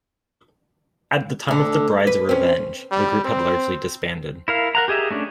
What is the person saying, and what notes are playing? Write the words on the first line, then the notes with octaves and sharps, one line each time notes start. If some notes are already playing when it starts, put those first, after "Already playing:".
At the time of The Bride's revenge, the group has largely disbanded.
D2 D3
B4
C4 C#4
G3
C4
E4 A#4 F5
A#4 F#5 A#5
G4 G#4 D#5 E5
A3 C#4 D4